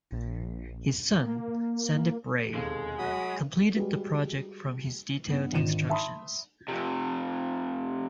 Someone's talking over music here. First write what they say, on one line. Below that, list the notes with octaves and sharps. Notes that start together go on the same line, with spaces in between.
His son, Sandip Ray, completed the project from his detailed instructions.
A#1
A#3
E1 D#2 C3 G#3 A4
F#3 F#4 B5 D#6
G3 G#3 F#4 B4
G2 B3
G#1 D3 D#3 F4 D#7 E7
E5 A5 B5 C6 D#6
F2 C3